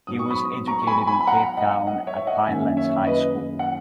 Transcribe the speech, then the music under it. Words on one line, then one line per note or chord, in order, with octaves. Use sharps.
He was educated in Cape Town at Pinelands High School.
G#2 F#3 B3 D#6
C#6
B5 D#6
A#5 C#6
C#6
G#5 B5
G#5 B5
B5
F#5 A#5
D#5 F#5
D#5 F#5
C#5 E5
E5
D#5 F#5
F#2 D#3 A#3 C#4 E5 G#5
C#5 E5
B4 D#5
F#5